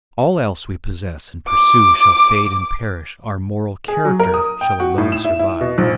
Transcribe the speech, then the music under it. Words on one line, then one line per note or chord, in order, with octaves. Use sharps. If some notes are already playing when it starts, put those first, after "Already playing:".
All else we possess and pursue shall fade and perish, our moral character shall alone survive.
D6
G#4
F#3
A#4
D#6
G5
F#4
A2
E7
E4
E4
B2
A#1